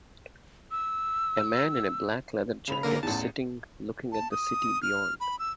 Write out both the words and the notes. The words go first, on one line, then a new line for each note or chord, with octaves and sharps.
A man in a black leather jacket sitting looking at the city beyond.
E6
C#3 B5 F7
D3 A#3 A#4
A1 E2 A5
A5
D#6
F6
B5
E6